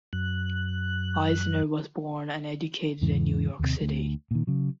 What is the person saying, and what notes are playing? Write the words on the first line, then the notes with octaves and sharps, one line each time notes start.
Eisner was born and educated in New York City.
F#2 F#6
E2 G#2 C#3 E3
D#2 C3
D2
A#2 D#3
C#3 F#3